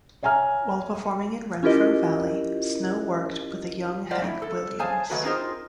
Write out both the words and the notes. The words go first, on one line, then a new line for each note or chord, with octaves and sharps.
While performing in Renfro Valley, Snow worked with a young Hank Williams.
C#5 E5 G#5 A#5 F6
C#4 E4 F4 G4 A#4 D#5
F4 C5 D5 F5 F#5
A3 D#4 E4
A4
G#4 C5 C#5 F5 G#5 A5
D#3 F#3 A3 A#3 F#4 B4
C4 D#4 F4 G#4 A#4 C5